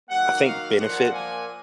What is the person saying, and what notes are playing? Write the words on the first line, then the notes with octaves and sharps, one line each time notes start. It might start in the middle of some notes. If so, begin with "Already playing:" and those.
I think, benefit
D#3 F#3 A#3 F#5
F5
A#2 F3 A#3 F#5
G#5